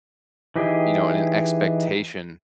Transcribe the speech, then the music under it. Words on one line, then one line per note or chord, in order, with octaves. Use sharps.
you know, and an expectation,
E3 D#4 G4 G#4